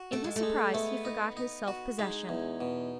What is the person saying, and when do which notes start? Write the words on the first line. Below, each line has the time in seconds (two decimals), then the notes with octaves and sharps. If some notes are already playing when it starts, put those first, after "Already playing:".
In his surprise he forgot his self-possession.
Already playing: F#4
0.12 A3 A4
0.24 G#3
0.36 A3
0.43 G#3
0.74 A3 B3
1.05 D#4
1.37 D#4
1.68 F#4
1.99 G#3 D#4
2.29 E2
2.61 B2